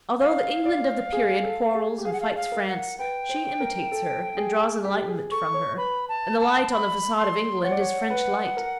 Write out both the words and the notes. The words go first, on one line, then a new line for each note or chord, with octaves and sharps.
Although the England of the period quarrels and fights France, she imitates her and draws enlightenment from her; and the light on the facade of England is French light.
C5 F5
D5
G#4
A4
G#4
G4
G#4 F5
F#5
F5
F5
A#4
F#5
B4 G5
C5
A#4
A4
G#4
G4
G#4
A4 C#6
C#5
B4 B5
A5
A5
B5
C6
C#5 F#5
D5
C#5
B4
A#4